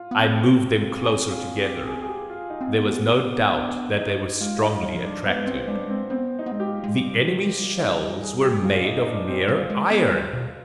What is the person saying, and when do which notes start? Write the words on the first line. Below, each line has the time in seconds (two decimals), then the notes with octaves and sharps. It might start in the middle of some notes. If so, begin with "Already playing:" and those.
I moved them closer together; there was no doubt that they were strongly attracted. The enemy's shells were made of mere iron!
Already playing: F4
0.11 B3
0.18 C4
1.02 G#4
1.30 F4
1.59 G4
1.87 G#4
2.01 G#4
2.08 G4
2.30 F4
2.50 D#4
2.61 C4
2.72 B3
3.56 D4
3.98 D#4
4.41 G#3 F4
4.62 D#4
4.83 G3
4.94 F3
5.04 G3 D4
5.25 G3 B3
5.35 G#3
5.45 G3 C4
5.68 G#3 D4
5.76 G3
5.85 G#3 C4
6.10 B3 C4
6.39 D#4
6.46 B3
6.52 G#3
6.60 G4
6.66 F4
6.84 G#3
6.94 G3
7.79 D#4
8.22 G#4
8.42 G4
8.64 F4
8.85 D#4
8.98 D#4
9.06 D4
9.28 C4
9.48 G3 F4
9.70 G#3
9.91 B3
10.12 G3
10.33 B2